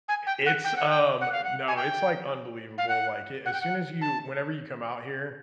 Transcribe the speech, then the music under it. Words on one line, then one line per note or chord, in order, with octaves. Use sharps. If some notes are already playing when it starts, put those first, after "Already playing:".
It's, um, no, it's, like, unbelievable. Like, as soon as you whenever you come out here
G#5
G5
F#5
G5
F#5
G5
F#5
F5
F#5
G#5
G5
F5
F#5
F#5
G5
F#5
A5